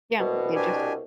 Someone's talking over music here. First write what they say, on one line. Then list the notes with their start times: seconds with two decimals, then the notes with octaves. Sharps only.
Yeah, they just
0.19 C2 B2
0.55 D4 G4 G#5